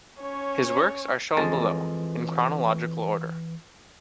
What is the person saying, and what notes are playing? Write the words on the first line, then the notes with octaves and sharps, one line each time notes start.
His works are shown below, in chronological order.
C#4 C#5
F2 E3 G#3 A5